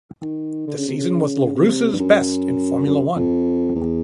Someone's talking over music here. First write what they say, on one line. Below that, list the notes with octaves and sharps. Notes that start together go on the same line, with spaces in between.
The season was Larrousse's best in Formula One.
D#3
D3
C#3
C3
C#3
C3
G2
F#2
F#2
F2
E2